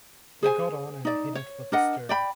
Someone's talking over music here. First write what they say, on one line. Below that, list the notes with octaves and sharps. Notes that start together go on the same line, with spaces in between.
They got on and headed for the stern.
G#4 C5 G#5
D#4 D5
C#5
D4 A#4 D#5 F#5
D5 G5 B5